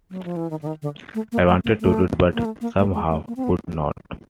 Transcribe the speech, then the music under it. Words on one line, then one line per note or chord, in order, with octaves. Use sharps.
I wanted to read, but somehow could not.
F#3
F3
E3
D#3
D3
D#3
D3
A3
A#3
A3
A#3
A3
A#3
A3
A#3
A3
G#3
A3
A#3
C4
B3